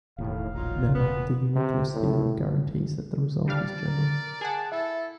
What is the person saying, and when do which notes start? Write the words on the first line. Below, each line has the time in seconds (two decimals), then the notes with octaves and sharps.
Now, the uniqueness theorem guarantees that the result is general.
0.18 E1 D#2 A2 F5
0.54 A#1 F#3 D#4 F4
0.93 A#2 B3
1.54 C3
1.94 A2
3.48 G3 D4 D5 F5
3.87 A#4
4.41 G#4 F#5 A5
4.72 E4 A4 E5